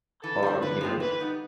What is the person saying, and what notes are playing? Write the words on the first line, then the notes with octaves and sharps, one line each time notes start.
or, you know
E3 A4
G3 C4
D3 B4
F3 G#3 C4
E3 B4
G3 B3 D#4